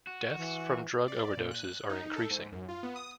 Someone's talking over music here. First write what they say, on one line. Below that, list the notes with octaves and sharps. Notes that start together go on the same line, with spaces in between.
Deaths from drug overdoses are increasing.
F#4
E3
D5
A#2
F#6
D#4
A4
G#2
F#2
F4
B3
D#6